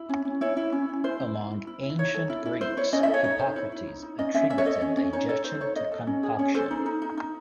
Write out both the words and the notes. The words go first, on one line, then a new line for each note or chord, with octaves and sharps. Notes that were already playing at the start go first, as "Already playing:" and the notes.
Among ancient Greeks, Hippocrates attributed digestion to concoction.
Already playing: E4
C#4
C#4
E4 C#5
E4
C#4
C#4
E4 C5
E4
E4
E4
E4
E4
D#4 C#5
A4
E4
E4
E4 C5
E4 C#5
C#4 D#5
E5
A4
C#5
D#4 C#5
D#4 C5
E4 C#5
E4
D#4
D#4
C#4 D#5
C#4 E5
C#4 E5
C#5
A4 D#5
C#4
C#4
D#4 C#5
A4 C#5
D#4 C5
D#4 C#5
D#4 D#5
A4
C#4
G#4
C#4 C#5
A4 C5
D#4
D#4
D#4
D#4